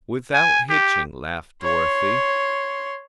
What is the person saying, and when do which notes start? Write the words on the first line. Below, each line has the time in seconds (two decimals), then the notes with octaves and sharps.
"Without hitching," laughed Dorothy.
0.34 G#5
0.69 G4
1.62 C#5 C6